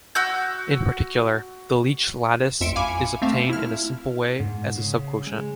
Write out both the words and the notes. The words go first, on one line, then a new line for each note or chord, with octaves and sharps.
In particular, the Leech lattice is obtained in a simple way as a subquotient.
F#4 E6 G6
A1 F2 E5 C6 C#7 D7
F5 G#5 B5 D6
A3 C4 E5 F5
E4 F6
G#2
C#3
G#3